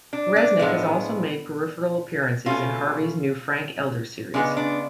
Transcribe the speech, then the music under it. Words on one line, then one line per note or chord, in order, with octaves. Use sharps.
Resnick has also made peripheral appearances in Harvey's new Frank Elder series.
D4
D4
A2 F3 G#3 B3
B2 A3 C#4 F4
C#3 G#3 B3 D4
D4